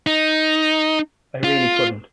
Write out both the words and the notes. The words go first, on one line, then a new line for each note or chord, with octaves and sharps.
I really couldn't.
D#4
F4